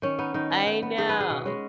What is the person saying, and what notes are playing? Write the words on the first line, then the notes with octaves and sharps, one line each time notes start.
I know.
D#3 C#4
B3 D#4
D#3 D#4
B3
D#3
B3
D#3 G#4
B3 B4
G#4
B2
G#3 C#4